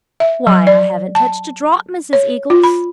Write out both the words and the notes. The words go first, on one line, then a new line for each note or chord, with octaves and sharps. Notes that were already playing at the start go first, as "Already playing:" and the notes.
'Why, I haven't touched a drop, Mrs. Eagles!'
E5
F#3
D5
A5
C#5
F4
B5